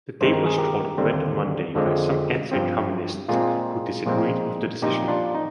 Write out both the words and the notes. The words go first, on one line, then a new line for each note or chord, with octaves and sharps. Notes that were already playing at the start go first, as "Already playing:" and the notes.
The day was called "Red Monday" by some anti-communists who disagreed with the decision.
G2 D#3 G#3 C4 C5
A#4
G#4
G4 A#4
D#2 D3 G3 C4
F2 D3 F3 G#3 C4
G2 F3 C4
A#2 G#3 C4 F4 G#4
A#2 F3 G#3 C4
A#2 F3 C4 D#4 G4
D4 F4
D#4